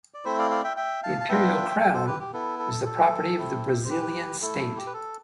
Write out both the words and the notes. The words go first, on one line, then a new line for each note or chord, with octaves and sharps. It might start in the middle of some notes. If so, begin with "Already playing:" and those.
The Imperial Crown is the property of the Brazilian State.
D5
A3 C4 E4 C5 E5
D5 F5
D5 F5
E5 G5
E5 G5
F5 A5
A5
B3 D4 F4 E5 G5
A4
A4 C5
G4 B4
G4
B3 E4 A4
A4
A4
A3 C4 E4
C5
G4 B4
A3 E4 A4
A4
G4
B4
A4